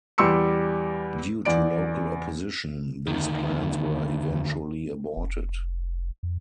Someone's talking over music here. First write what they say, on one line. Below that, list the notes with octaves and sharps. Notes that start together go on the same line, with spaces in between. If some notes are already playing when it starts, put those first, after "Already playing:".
Due to local opposition, these plans were eventually aborted.
E2 G3 G4 C6 E6 C#7
E2 D5 D7
D2 D#3
F1
F2